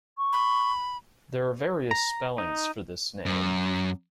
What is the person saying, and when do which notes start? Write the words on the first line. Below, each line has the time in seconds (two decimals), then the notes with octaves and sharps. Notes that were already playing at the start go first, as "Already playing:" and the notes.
There are various spellings for this name.
0.18 C#6
0.33 B5
1.91 A#5
2.38 D#4
3.26 F#2